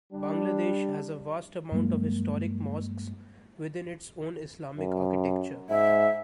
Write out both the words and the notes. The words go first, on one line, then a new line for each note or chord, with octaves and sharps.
Bangladesh has a vast amount of historic mosques with its own Islamic architecture.
G3 D4
G2 F#3 G#3 A#3
F#2
G#2 E5